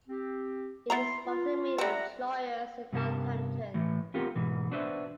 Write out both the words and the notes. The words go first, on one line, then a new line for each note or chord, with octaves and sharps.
It is one of the main employers in Northampton.
C4 G4
B3 E4 A#5 C6
F4
G3 C4 E5 F#5 A#5
G2 C3 B3 F#4 A#4 A5
A2 E3
B3 C4 F4 G4 A4 A#4
G#2 B2 E3
B3 D4 F#4 B4 C5 E5